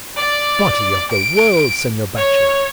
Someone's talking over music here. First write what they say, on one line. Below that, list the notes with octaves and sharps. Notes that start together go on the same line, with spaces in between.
Body of the world, senor bachelor!
D5
D7
C#5